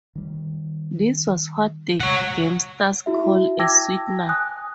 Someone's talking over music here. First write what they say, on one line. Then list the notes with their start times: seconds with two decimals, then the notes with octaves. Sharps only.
This was what the gamesters call a sweetener.
0.15 D#3 G3
2.00 C#3 G#3 C#5 F#5
3.06 E4 F#4 E5
3.59 G5 A5 D6 E6 G#6 A#6
4.29 G#5 D#6 F#6